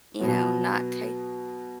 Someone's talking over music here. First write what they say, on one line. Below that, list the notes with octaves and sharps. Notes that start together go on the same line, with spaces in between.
you know, not take
B2 F#3 B3